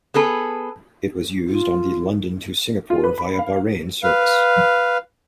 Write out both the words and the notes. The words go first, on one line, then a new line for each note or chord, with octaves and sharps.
It was used on the London to Singapore via Bahrain service.
B3 G#4 A4 B4
F4
F4
B4
B5
F5
B4 F5